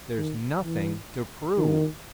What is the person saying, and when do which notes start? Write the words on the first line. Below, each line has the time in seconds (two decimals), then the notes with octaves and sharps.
There's nothing to prove.
0.18 D#3
0.65 E3
1.58 D#3